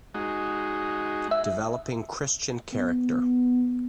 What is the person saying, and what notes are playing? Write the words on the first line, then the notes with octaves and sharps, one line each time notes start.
Developing Christian Character.
G#3 D#4 F#4
E5
B3